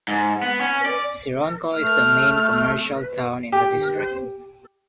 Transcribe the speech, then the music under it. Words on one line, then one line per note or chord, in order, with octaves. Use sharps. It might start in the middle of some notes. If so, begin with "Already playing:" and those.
Sironko is the main commercial town in the district.
G#2
B3
C#4
D5
A3 F6
G4